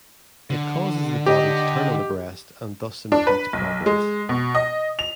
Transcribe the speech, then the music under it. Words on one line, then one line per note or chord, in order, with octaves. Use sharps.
It causes the body to turn on the breast, and thus impedes progress.
D3
G4 D#5
D4
B4
B1
G#3
B2
D#5
F7